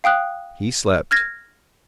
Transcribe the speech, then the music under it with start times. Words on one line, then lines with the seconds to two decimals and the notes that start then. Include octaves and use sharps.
He slept.
0.04 F5 G5 D#6 F#6
1.11 F6 G#6 A#6